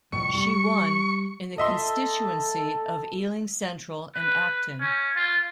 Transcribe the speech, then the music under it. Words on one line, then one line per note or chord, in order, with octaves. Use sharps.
She won in the constituency of Ealing Central and Acton.
C2 F2 A2 C#6
G3
A4 D#5 E5 C6
B4
C#4
F4